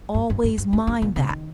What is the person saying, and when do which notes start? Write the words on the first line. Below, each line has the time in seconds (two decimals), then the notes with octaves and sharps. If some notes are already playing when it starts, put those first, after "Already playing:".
Always mind that.
0.14 G2
0.30 G2
0.44 G2
0.58 G2
0.73 G2
0.87 G2
1.02 A#2
1.16 C3
1.30 D#3